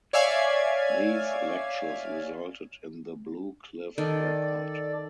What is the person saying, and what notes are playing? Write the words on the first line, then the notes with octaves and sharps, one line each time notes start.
These lectures resulted in the "Blue Cliff Record".
C#5 D5 E5 F5 G#5 G#6
D#3 A4 D5